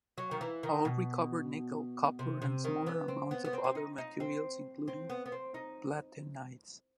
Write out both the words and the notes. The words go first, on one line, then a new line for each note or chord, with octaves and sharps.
All recovered nickel, copper, and smaller amounts of other materials including platinides.
F#3
D#3
E3
D#3
B2
C3
C3
D#3
B3
C4
B3
B3
C4
C4
D#4
D#4
C4
C4
B3
B3
C4
D#4